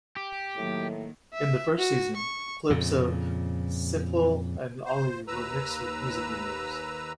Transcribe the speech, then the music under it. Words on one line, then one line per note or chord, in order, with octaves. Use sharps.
In the first season, clips of Sifl and Olly were mixed with music videos.
G4
A2 D#3 F#3 A#3
E5
F#4
C#6
F2 A#2 C#3
C5
D#2 B4 A#5 E6